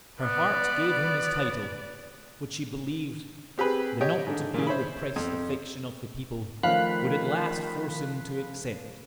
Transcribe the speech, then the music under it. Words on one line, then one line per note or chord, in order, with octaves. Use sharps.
Her heart gave him his title; which she believed the not-to-be-repressed affection of the people would at last force him to accept.
B3 B4 D5
C4 G4 G#4 B4
G4 C#5 D#5 G5
G#2 D3
A#2 C#3
C5 C#5 E5 B5
F2
D#3 F3 A3 C#4 F5 B5 F#6 B6